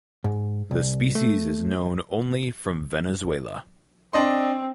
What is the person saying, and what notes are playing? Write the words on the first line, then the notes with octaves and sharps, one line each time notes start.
The species is known only from Venezuela.
G#2
C2
A3
C4 D4 D#5 C6